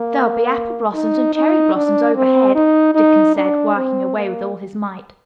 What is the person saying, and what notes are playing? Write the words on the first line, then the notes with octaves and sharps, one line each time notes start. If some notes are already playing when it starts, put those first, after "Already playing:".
"There'll be apple blossoms an' cherry blossoms overhead," Dickon said, working away with all his might.
Already playing: A#3
D#4
D#4
D4
C4
D#4
D#4
D4
C4
A#3